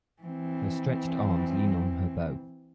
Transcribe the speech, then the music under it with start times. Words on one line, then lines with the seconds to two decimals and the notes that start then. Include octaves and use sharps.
Her stretched arms lean on her bow.
0.22 E3 C4